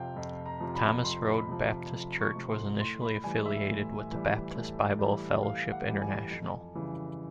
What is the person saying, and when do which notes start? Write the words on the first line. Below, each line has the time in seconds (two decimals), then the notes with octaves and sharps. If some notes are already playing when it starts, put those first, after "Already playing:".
Thomas Road Baptist Church was initially affiliated with the Baptist Bible Fellowship International.
Already playing: F2 C3 F3 F5 G5
0.16 F2
0.46 A#5
0.60 C3 F3
0.75 B5
1.04 F2 C6
1.34 B5
1.48 C3 F3
1.92 F2
2.21 C#6
2.36 C3 F3
2.50 C6
2.80 A2 C6
3.02 B5
3.24 E3 G3 G#5
3.46 E5
3.68 A2
4.12 E3 G3
4.56 A2
4.99 E3 G3
5.43 A2 F5
5.72 F#5
5.87 E3 G3
6.02 G#5
6.31 F2
6.75 C#3 E3 G3